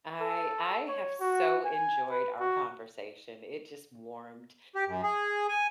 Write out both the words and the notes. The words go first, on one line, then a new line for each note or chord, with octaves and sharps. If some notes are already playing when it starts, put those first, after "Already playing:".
I I have so enjoyed our conversation. It just warmed
A4
C#5
F#4
G#5
B4
F#4
G4
F#2
G#4
G#5